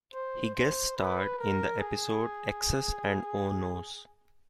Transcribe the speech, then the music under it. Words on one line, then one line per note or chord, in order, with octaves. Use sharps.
He guest starred in the episode Exes and Oh-No's!
C5
C5
B4
A#4
G#4